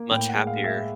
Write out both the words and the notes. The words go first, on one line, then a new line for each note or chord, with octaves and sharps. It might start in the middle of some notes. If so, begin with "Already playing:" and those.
much happier.
Already playing: A#3
A2 G5
F#5
G#3
F5
G#3
E5